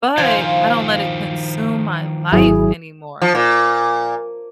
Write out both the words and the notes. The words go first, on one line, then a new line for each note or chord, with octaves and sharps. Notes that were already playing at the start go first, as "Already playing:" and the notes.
but, I don't let it consume my life anymore
D#3 F3 C5 F5 G#5
G#1 F#3 E4 G#4
F3
A#2